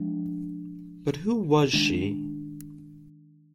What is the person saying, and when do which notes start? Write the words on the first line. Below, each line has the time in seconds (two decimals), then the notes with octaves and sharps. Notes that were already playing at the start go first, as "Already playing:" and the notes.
But who was she?
Already playing: F3 G#3 D4
1.73 D#3 G#3 D4